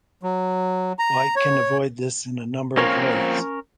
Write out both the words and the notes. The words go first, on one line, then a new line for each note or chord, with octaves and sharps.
White can avoid this in a number of ways.
F#3
A#5
C#5
F3 A#3 C4 C#4 A#4 C#5